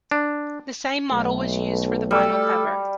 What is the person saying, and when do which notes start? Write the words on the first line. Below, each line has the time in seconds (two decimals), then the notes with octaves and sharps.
The same model was used for the vinyl cover.
0.11 D4
1.11 B1 A3
2.11 G3 A4